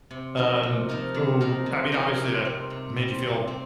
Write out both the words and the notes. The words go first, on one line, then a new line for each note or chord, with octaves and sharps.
Um, so, I mean, obviously that made you feel
C3
F3 D#4 A#4
C3
F3 D#4 A#4
C3
F3 D#4 A#4
C3
F3 D#4 A#4
C3
G3 C4
C3
G3 C4
C3
C4